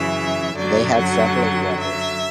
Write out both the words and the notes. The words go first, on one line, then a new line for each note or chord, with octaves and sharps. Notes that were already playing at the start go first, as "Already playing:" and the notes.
They had several brothers.
Already playing: F#2 C#3 E3 E5
F#2 D3 F#3 D5
F#5
E5